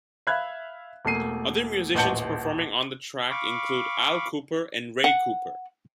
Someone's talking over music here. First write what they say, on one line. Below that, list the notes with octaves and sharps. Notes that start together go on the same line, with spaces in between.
Other musicians performing on the track include Al Kooper and Ray Cooper.
E5 F5 B5 F#6 G#6
E1 A3 A#3 C7 D#7
D#1 A1 F#5 A5 G6 C#7
F5 B5 C#6 D6
F#5